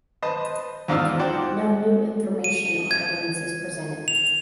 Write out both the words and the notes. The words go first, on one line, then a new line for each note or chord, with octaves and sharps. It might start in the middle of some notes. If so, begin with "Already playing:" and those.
No new information or evidence is presented.
B4 C5 D#5 A5
E2 G#2 F4 D5 E6 F6
F#4 C5 D5 F#5 G5
D#7
G#6
F7